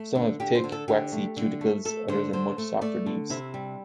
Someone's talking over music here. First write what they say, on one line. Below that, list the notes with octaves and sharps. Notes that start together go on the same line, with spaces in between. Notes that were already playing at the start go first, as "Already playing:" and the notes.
Some have thick, waxy cuticles others have much softer leaves.
Already playing: A3
D3
D3 G4
C5
D3
A4
D3 G4
A3
D3
A3
A3 A4
D3 C5
D3 C5
A3
A3 D5
D3
C3 E4
G3